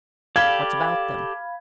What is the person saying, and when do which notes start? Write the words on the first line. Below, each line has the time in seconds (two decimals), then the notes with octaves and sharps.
"What about them?"
0.36 G4 A4 D5 F5 B5 G#6